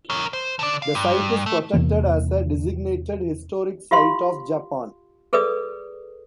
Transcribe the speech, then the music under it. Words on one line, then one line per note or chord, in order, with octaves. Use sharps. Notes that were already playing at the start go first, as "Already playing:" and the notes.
The site is protected as a Designated Historic Site of Japan.
A#4 C#5
C5
D3 D5
F5
G2
A3
E2 C3 E3 A#3
F4 G4 F5 C6
G#4 A4 B4 D5 D#6